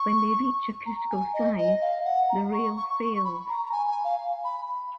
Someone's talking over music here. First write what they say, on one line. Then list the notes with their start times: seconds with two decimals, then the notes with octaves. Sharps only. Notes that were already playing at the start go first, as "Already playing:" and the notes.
When they reach a critical size, the rail fails.
Already playing: C#6
0.86 A#5
1.10 G#5
1.34 D#5
1.58 D#5
1.81 F5
2.05 F#5
2.29 A#5
2.53 C#6
2.76 C#6
2.89 C#6
3.00 C#6
3.13 C#6
3.24 B5
3.48 A#5
3.65 A#5
3.72 G#5
3.88 G#5
4.04 F5
4.44 B5